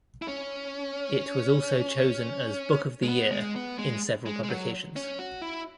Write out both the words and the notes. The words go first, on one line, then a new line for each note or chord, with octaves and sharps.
It was also chosen as "Book of the Year" in several publications.
E4
C#4
G#3
B3
G#3
B3
G#3
G#3
G#3
F#3
C#4
F#4
E4